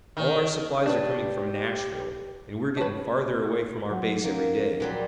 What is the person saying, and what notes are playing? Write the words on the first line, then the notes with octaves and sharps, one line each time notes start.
"All our supplies are coming from Nashville, and we are getting farther away from our base every day."
D#3
D4 G4 B4
B4 C#5 A5
F#3 F#5
F3 A#3 C#4 D#4
A#2 F#3 G3